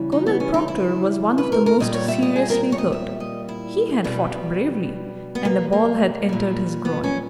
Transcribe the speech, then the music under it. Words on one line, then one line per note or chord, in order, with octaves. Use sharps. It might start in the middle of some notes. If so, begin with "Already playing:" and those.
Colonel Proctor was one of the most seriously hurt; he had fought bravely, and a ball had entered his groin.
Already playing: C#3 E3 G3
D#4
B3
C#4
D#4
E4
B4
A#4
A#4
A#2 G3 D#5
C#5
E5
D#5
G#4
A#4
C#5
D#5
E5
D#5
E4
B2 G3
B3
A#3
A#3
A#2 G3
B3
C#4